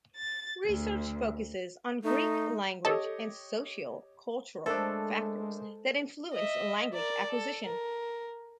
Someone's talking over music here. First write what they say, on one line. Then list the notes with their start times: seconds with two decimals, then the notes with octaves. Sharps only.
Research focuses on Greek language and socio-cultural factors that influence language acquisition.
0.17 A6
0.66 D2
2.04 A3 D#4
2.85 G4 A4 C#5 D#5
4.66 G#3 A3 D4 A4 A#4 C5
6.33 D#5 E5
6.94 A#4 D5
7.30 A4
7.66 A#4